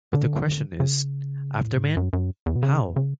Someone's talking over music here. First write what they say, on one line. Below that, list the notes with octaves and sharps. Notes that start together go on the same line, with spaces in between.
But the question is: After Man, how?
D3
C#3
A2
G#2
F#2
F#2
E2
B2
C#3
C#3